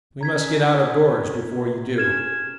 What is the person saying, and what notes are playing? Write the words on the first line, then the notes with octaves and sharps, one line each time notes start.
We must get out of doors before you do.
C#4 A#5 G#6 B6
C3
C#4 F6 G#6 E7